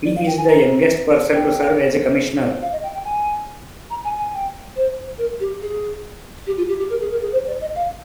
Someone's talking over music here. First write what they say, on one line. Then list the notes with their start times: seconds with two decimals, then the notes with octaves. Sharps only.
He is the youngest person to serve as Commissioner.
0.05 D5
0.15 F5
0.26 G5
0.37 G#5
0.48 A#5
1.33 G5
2.61 F5
2.72 D#5
2.83 G5
2.94 G5
3.04 G#5
3.90 A#5
4.04 G#5
4.18 G#5
4.33 G5
4.76 C5
5.18 A#4
5.40 G4
5.61 G#4
6.46 G4
6.57 F4
6.68 G4
6.78 G4
6.90 A#4
7.00 G#4
7.11 A#4
7.21 G#4
7.32 C5
7.46 D5
7.60 D#5
7.75 F5